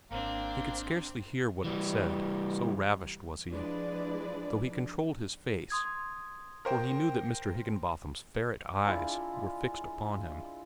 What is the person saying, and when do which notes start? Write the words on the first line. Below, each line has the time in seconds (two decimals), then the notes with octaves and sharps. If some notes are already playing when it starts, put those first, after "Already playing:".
He could scarcely hear what it said, so ravished was he, though he controlled his face, for he knew that Mr. Higginbotham's ferret eyes were fixed upon him.
0.11 G#1 A#3 C4 D4
1.64 E3 G3
3.50 F3 G#3 D4 E4 B4 D5
5.70 C6 D#6 G#6
6.65 A#4 C5 G5
8.85 G#3 D4 E4 F4